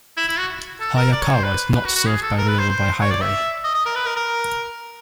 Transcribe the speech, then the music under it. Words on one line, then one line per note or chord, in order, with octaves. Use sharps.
Hayakawa is not served by rail or by highway.
E4
E4
F#4
A4
A#4
D5
C#5
C5
B4
B4
F#4
F#4
G#4
A4
A#4
B4
C5
C5
C#5
D5
E5
D#5
D#5
A#4
B4
A#4
A#4